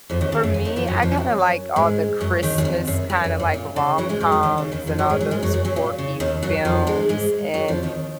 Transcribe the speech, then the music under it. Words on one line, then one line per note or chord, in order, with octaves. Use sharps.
for me, I kinda like all the Christmas kinda like rom-coms and all those quirky films and,
F2 F3
D#2 D#3
C#3
F#2
F2
D#2 D#3
F2 F3
F#2 F#3
F2 F3
F#2 F#3
G#2 G#3
F#2 F#3
D#2 D#3
F#2
F2
F#2
F#2
F2
F#2
A#2
C#3
F#2 F#3
G#2 G#3
G#2 G#3
F#2 F#3
D#2 D#3
C#3
D#2 D#3
F2 F3
F#2 F#3
G#2 G#3
F#2 F#3
G#2 G#3
F#2 F#3
F#2 F#3
F#2 F#3
A#2
C#3
D#2 D#3
F#2 F#3
F2 F3
G#2 G#3
G#2 G#3
F#2 F#3
F2 F3
D#2 D#3